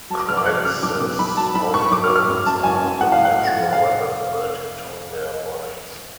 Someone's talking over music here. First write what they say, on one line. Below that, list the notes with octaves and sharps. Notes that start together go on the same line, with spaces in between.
Krites' only weapons are the natural weapons built into their bodies.
F#3 A5
D6
F1 F6
D6
F1 F#6
C#3 F6
B1 D6
B2
B1 B5
F#3 A5
B1 B5
B1 C#6
B1 D6
F6
F#3
F6
F#2
F#2 A5
F#1 G#5
F#2
A2 F#5
F5
A2
F#5
A2
F3
F1 F5